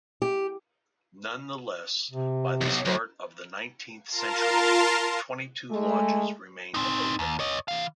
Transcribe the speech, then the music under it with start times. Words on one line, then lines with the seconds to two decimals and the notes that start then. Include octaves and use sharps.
Nonetheless, by the start of the nineteenth century, twenty-two lodges remained open.
0.22 G4
2.11 C3
2.61 B1 F2
2.85 D2 F#3
4.09 F4 A#4 F5 A5 A#5 C6
5.71 G#3 A3
6.74 C4 D#4
7.19 D#2
7.39 C#5 D#5
7.68 E3 F5